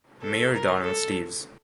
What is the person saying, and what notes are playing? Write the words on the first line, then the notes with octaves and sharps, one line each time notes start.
Mayor Donald Steeves.
A4
A#4
A4